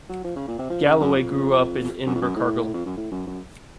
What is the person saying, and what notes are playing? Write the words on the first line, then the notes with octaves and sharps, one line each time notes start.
Galloway grew up in Invercargill.
F#3
F3
C#3
A#2
C3
F3
C#3
F#2
F2
F#2
F2
F#2
A2
F2
F#2
A2
F#2
F#2